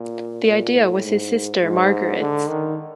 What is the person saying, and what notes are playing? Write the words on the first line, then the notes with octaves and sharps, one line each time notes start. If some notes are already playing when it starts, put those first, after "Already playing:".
The idea was his sister Margaret's.
Already playing: A#2
A#2
A2
G#2
G#2
D3
D#3